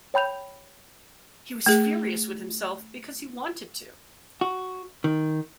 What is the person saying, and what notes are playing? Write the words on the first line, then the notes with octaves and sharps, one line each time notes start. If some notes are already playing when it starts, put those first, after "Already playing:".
He was furious with himself because he wanted to.
C#5 G5 B5 G6 F7
A3 G#4
F#4
D#3